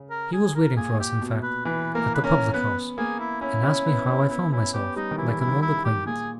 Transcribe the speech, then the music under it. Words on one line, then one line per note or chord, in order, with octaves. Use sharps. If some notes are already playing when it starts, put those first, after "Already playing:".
He was waiting for us, in fact, at the public-house; and asked me how I found myself, like an old acquaintance.
Already playing: C#3
A#4
G#4
A#4
A#2 G#4
G4
B2
B4
E3 B4
A#3 A#4
B4
C#4 A#4
B3 B4
A#3 G#4
E4
C#4 E4
C#4
B3
C#4
B3 E4
C#4 E4
B3 G4
G3 D#4
D#3
E3 E4
E4
D#3
E4
G4
A#2 G#4